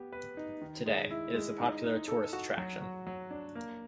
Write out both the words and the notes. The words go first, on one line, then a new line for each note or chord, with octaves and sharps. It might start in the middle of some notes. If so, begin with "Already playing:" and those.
Today, it is a popular tourist attraction.
Already playing: B3 G4
B4
D#4
D#3
G#3
E4
G#3
D#4
D#4
A4
F#4
F#3
F#3
F#3
D4
A#3